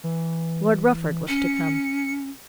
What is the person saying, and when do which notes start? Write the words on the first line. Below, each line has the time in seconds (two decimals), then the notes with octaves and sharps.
Lord Rufford was to come.
0.04 E3
1.28 C#4 C#7